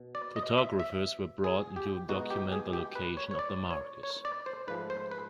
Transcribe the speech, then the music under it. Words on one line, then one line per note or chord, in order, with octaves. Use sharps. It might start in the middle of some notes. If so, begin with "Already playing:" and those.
Photographers were brought in to document the location of the markers.
Already playing: B2
D5
D#5
E5
E5
G#4
G4
B2 G#3 B3 D#4 F#4
G4
G#4
G4
B4
C#5
C#5
D5
C#5
C#5
D5
C5
G#2 F3 A3 B4
C5
B4